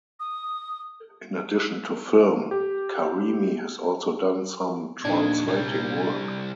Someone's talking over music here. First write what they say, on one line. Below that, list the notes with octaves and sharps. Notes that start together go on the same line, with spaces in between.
In addition to film, Karimi has also done some translating work.
D#6
G4
D#2 A#2 D#3 D4 G#6
C2 G3